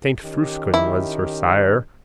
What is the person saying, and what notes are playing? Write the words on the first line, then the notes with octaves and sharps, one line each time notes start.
Saint Frusquin was her sire.
D#3 C#4 G4
E4